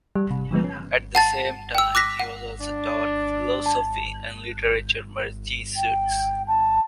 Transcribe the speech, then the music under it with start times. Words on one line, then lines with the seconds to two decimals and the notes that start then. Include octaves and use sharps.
At the same time he was also taught philosophy and literature by Jesuits.
0.15 G3
0.31 C3
0.51 D3 F3 G#3 B3
0.64 C#4
1.15 F#5 A5 A6
1.75 G5 E6
1.95 D6 F#6 A#6 B6
2.19 F#5
2.61 D4
3.66 A5
5.76 G5
6.47 A5